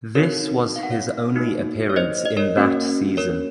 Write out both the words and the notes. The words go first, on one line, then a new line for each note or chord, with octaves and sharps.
This was his only appearance in that season.
C4 D#4 F#4 A#4 C#5
F5
F#5
C#5 F5
A#3 D#4 F#4
C#5
C5 D#5
D#5
A#4 C#5
A#3 C#4 F#4
A#4 C#5